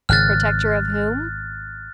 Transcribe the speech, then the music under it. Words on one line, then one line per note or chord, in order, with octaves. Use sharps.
Protector of whom?
G#1 C#3 F6 F#6 A6